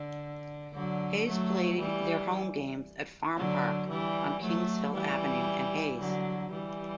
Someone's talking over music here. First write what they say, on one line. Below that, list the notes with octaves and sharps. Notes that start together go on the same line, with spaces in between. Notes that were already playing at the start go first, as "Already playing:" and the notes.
Hayes play their home games at Farm Park on Kingshill Avenue in Hayes.
Already playing: D3
D3 F#3
F#3 A3
E3 G3
D3 F#3
E3 G3
F#3 A3
E3 G3
D3 F#3
E3 G3